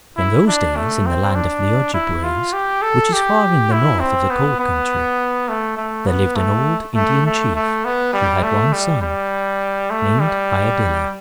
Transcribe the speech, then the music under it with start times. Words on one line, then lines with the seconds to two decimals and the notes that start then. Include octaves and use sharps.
In those days in the land of the Ojibways, which is far in the north of the cold country, there lived an old Indian chief who had one son, named Iadilla.
0.17 E4
0.47 D4
0.77 A3
1.06 C4
1.35 D4
1.94 E4
2.24 F4
2.53 G4
2.82 A4
3.13 G4
3.72 E4
4.00 C4
4.30 B3
4.60 B3
5.49 A3
5.77 A3
6.07 B3
6.36 A3
6.95 A3
7.26 A3
7.55 A3
7.85 B3
8.13 G3
8.43 A3
8.73 G3
9.02 G3
9.90 A3
10.20 G3